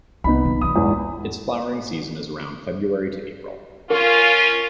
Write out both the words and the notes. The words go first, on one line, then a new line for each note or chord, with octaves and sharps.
Its flowering season is around February to April.
C2 B3 D#4 B5
A#2 F#3
B1 A3 D#6
E2 G#2
C#4 F4 A#4